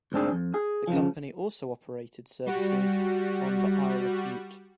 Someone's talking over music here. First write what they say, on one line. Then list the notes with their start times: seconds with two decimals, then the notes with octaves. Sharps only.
The company also operated services on the Isle of Bute.
0.12 D2 G#2 C4 D4 G#4
0.33 F2
0.54 G#4
0.88 C#3 E3 F3
2.46 G3 F#4